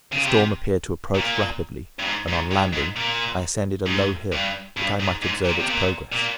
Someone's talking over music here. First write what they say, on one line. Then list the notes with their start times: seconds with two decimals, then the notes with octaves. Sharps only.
The storm appeared to approach rapidly, and, on landing, I ascended a low hill, that I might observe its progress.
0.12 C#3
0.24 C3
1.15 A#2
1.99 G2
2.05 G#2
2.28 G#2
2.51 G2
2.73 G#2
2.96 A#2
3.86 G#2
4.32 G2
4.77 G2
5.00 G#2
5.22 G#2
5.45 A#2
5.60 C3
5.67 A#2
6.12 A#2